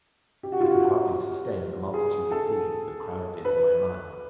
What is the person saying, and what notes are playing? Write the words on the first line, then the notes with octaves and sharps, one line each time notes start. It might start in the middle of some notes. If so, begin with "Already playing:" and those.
I could hardly sustain the multitude of feelings that crowded into my mind.
G4
F#4
F4
F#4
G#4
A4
B4